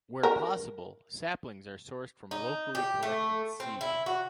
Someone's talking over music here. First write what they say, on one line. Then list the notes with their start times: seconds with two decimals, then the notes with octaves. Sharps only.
Where possible, saplings are sourced from locally collected seed.
0.23 A#4
2.31 D#4
2.75 G4
3.03 A3
3.60 C4
3.81 E4
4.06 F#4